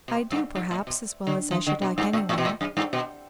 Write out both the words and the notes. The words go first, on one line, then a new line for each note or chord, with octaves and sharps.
I do, perhaps, as well as I should like anywhere.
B2
G2
G2
A2
B2
D3
E3
D3
B2
G2
A2
A2
B2
A2
F#2
G2
B2